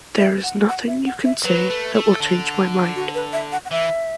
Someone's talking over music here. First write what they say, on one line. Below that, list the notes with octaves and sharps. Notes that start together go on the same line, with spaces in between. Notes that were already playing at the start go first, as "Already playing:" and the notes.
There is nothing you can say that will change my mind.
E5
F#5
F#5
E5
F#5
E5
F#3 B4
A3
A3
D3
F#4
B4
E5
F#5
F#5
E3 E5